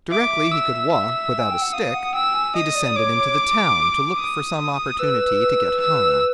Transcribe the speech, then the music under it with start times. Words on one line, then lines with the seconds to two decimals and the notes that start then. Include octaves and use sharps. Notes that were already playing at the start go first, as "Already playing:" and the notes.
Directly he could walk without a stick, he descended into the town to look for some opportunity to get home.
0.11 E5 D6
0.52 E6
0.92 E6
1.39 G#5
1.50 G5
1.62 F#5
1.73 F5 D#6
1.94 F#5
2.13 G5 E6
2.34 G#5
2.54 D#5 D#6
2.75 D5
2.96 C#5 D6
3.16 C#5
4.18 D#6
4.99 B4 E6
5.80 E6